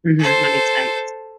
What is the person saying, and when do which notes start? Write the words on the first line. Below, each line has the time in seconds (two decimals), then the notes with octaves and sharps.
Mhm, that makes sense.
0.19 A4 C5